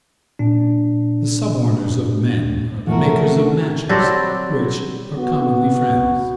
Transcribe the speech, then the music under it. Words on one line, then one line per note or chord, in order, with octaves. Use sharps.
The suborners of men are the makers of matches, which are commonly friends.
A#2 D4
E3 F3 A3 F#4 A#4
F#3 G3 C4 A4
B3 F#4